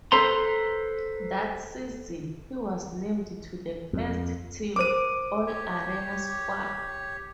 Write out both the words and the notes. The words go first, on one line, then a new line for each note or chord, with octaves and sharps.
That season, he was named to the First-team All-Arena squad.
A4 B4 C5 A#5 C6
F2
A#4 C5 D6 D#7
G4 C#5